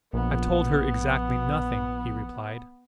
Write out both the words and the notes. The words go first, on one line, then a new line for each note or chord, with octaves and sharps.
"I've told her exactly nothing," he replied.
A#1 B3